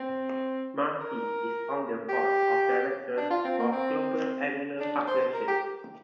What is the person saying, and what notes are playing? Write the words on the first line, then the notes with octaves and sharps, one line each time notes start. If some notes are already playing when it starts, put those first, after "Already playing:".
Mackey is on the Board of Directors of Global Animal Partnership.
Already playing: C4
A#4
G4
D4
F4
C4
A#3
C4
D4
C5
A#4
G4